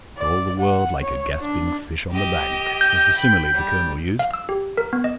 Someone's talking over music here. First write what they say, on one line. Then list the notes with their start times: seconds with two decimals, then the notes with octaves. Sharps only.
"For all the world like a gasping fish on the bank," was the simile the colonel used.
0.18 D5
0.60 F#5
1.02 C#5
1.43 D4
2.11 G4 D#5
2.81 G6
3.18 G5 B5
3.54 G3
4.19 F5
4.34 E6
4.49 G4
4.77 A#4
4.93 B3
5.04 D#5